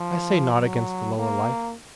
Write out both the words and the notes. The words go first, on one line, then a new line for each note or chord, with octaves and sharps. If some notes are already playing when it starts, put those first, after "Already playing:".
I say naught against the lower life.
Already playing: F3
F#3
A#3